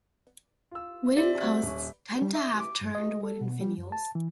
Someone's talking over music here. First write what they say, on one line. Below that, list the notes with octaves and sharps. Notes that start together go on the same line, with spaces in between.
Wooden posts tend to have turned wood finials.
F4 E6
C4 G4 D5 E5
G3 C4 F#4 E5
D#1 C#4
G3
E5
D6
G2
D#5
A4
B2
G3
F#2
A5
E3